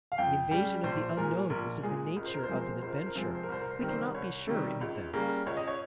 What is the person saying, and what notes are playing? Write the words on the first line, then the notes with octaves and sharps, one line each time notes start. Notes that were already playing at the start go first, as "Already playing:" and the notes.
The invasion of the unknown is of the nature of an adventure; we cannot be sure in advance.
F5
F2 G5
C#3 G3 G5
A#1 C5
A#2 G#3 A#4
A#1 A#4
A#2 G#3 G#4
C#2 A#4
C5
A#4
C5
C3 F3 G#3 A#4
C5
A#4
C#2 C5
A#4
C5
A#4
C3 F3 G#3 C5
A#4
C5
A#4
C2 C5
A#4
C5
C3 D#3 G3 A#4
C5
A#4
C2 C#5
C3 D#3 G3
C#2
C#3 G3 A#3
C#2 C#5
D#5
C#5